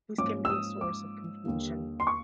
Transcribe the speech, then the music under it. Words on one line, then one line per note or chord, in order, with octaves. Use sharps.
This can be a source of confusion.
G#2 F3 A#3 C#4 D6
E6
D#6
D6
D#2 D3 G3 A#3
C6
C#6